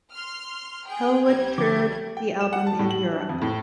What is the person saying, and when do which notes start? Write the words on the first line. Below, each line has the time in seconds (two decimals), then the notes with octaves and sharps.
Hellwood toured the album in Europe.
0.12 C6 F6
0.86 G#4 G5
1.25 B1 G3 G#6
1.58 D3 F3 D6
2.17 G5
2.41 E7
2.53 F#5
2.67 A5
2.79 A2
2.91 F#7
3.12 D4
3.29 F2
3.42 A2